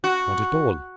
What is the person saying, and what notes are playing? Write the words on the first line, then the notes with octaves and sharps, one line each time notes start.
"Not at all."
F#4